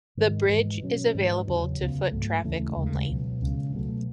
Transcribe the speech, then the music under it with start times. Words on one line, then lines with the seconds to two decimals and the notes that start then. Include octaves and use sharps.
The bridge is available to foot traffic only.
0.17 G#2 D#3 G#3
0.49 G#2 E3 G#3
0.82 B2 F#3 C#4
1.15 G#2 E3 G#3
1.47 E2 C#3 F#3 C#4
1.80 C#2 C#3 E3 B3
2.11 G#2 F#3 A3
2.44 D#2 C#3 E3 A3
2.77 D#2 C#3 G#3
3.09 C#2 B2 F#3
3.42 C#2 C#3 G#3 C#4
3.73 B2 F#3 A3